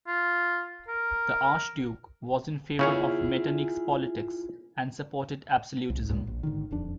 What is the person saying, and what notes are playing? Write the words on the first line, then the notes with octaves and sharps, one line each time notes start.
The Archduke was in favour of Metternich's politics and supported absolutism.
F4
A#4
C#3 C#4 E4 F4 G#4 C#5
C2
C#2 G2 A#2
A#1
G#1 D3 D#3
D#1 F2 D4